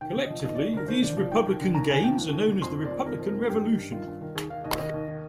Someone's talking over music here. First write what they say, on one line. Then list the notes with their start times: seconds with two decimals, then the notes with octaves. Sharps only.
Collectively, these Republican gains are known as the Republican Revolution.
0.01 D#2 G5
0.15 D3
0.24 D#5
0.30 F3
0.44 D#2 D#5
0.55 D5
0.59 D#2
0.74 D3 A#4
0.88 D#2 C5
1.02 D3 D5
1.17 F3 D5
1.32 D#2 G5
1.47 D#2
1.61 D3
1.75 D#2 A#5
1.89 D3 G#5
2.04 F3 G5
2.18 D#2
2.33 D#2
2.47 D3
2.62 F2 C6
2.77 D#3
2.84 D5
2.91 F2
3.05 D#3 A#4
3.19 F2
3.27 A#4
3.34 D#3
3.49 G2 G4
3.64 D#3
3.78 G2
3.92 D#3 F4
4.07 G2
4.21 D#3
4.36 D#2 G#4
4.50 D#3 F5
4.64 D#2 D#5
4.79 D#3 D#5
4.94 D#2
5.08 D#3